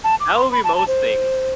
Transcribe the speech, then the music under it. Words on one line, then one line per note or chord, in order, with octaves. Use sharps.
that would be most things.
A5
D6
C6
B5
A5
A5
C5